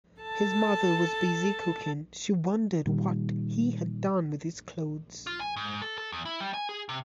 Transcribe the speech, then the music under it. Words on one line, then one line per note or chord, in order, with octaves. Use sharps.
His mother was busy cooking; she wondered what he had done with his clothes.
A4 A5
A#2 D#3 G3
F4
G#5
G#2
A4
A4
E2
E4
G3
G#5
G#4
C3